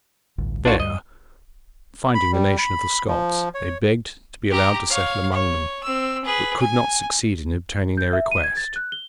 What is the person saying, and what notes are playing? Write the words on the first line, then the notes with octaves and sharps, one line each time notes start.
There, finding the nation of the Scots, they begged to be allowed to settle among them, but could not succeed in obtaining their request.
A1 D2 G2
A#1 D4 F4 F#4
G2 D#5
B5
G3
B5
F3
C#5
G4 A#5
C#5 F5
C#5
C4 E6
G#4 B4
G#5
G6
E5
D#7
G#6
A6
F#6
G7